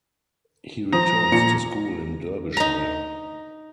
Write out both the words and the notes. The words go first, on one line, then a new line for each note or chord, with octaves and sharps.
He returns to school in Derbyshire.
F3 C5 A#5 D#6
A#2 F3 C#7
D#4 A#5